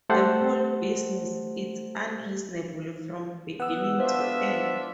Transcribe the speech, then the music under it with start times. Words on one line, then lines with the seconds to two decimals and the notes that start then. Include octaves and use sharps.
The whole business — it's unreasonable from beginning to end.
0.10 A3 G4 A4 C5 F#5
3.60 B3 F#5 E6
3.99 D4 F4 C5 E5